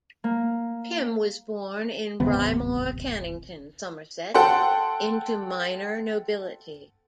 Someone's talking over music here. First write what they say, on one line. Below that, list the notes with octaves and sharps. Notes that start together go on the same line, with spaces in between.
Pym was born in Brymore, Cannington, Somerset, into minor nobility.
A#3
D1 G#1 C3 B3
A4 F#5 G5 C6